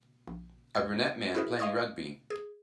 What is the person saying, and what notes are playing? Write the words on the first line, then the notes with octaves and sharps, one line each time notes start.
A brunette man playing rugby.
A#1
D#2 E6 G#6
E4 F#4 G#4 A#4 C5 E5
D#5 F5 C6 C#6 D#6 G#6
G#4